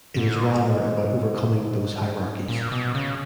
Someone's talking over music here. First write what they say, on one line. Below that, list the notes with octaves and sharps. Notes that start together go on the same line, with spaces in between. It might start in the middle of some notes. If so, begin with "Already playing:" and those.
It is rather about overcoming those hierarchies.
G#2
A#2
B2
C#3